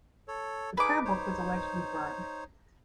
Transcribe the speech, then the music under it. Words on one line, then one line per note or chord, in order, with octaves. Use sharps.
The prayer book was allegedly burned.
A4 C#5
D#4 G#4 B4 G#5 D6
D#4 C5 C#5